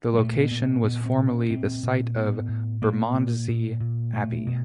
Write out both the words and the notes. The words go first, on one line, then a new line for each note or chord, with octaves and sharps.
The location was formerly the site of Bermondsey Abbey.
G#3
A#2 A3
B3
A#2
C4
A#2 B3
C4
A#2
C#4
A#2 C4
A#2
A2 B3
A2
A#2 A#3
A#2
A#2
A#2
B2 A3
B2